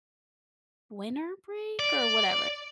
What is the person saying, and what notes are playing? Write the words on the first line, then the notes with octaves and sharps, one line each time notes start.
winter break or whatever.
D5